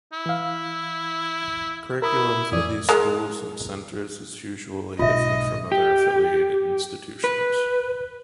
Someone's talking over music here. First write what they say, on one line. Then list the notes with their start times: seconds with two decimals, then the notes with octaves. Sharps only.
Curriculum for these schools and centers is usually different from other affiliated institutions.
0.13 E4
0.26 E3 F5
2.02 E4 A#4 B5 D#6
2.52 F2 E3 G#4 D5
2.89 G#3 A#4
4.99 B1 G#2 F4 D#5 E5
5.72 G4
7.24 B4